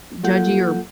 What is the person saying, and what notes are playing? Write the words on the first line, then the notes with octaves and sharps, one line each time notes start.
judgy or
F#3 A#3 F4 A4 F#5 G6